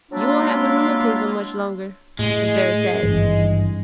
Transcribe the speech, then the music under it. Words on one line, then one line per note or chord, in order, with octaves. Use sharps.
"You won't have the rheumatism much longer," the bear said.
F#3 G#3 A#3 D4 E4 F4
A2 G#3
G#1 G2 E3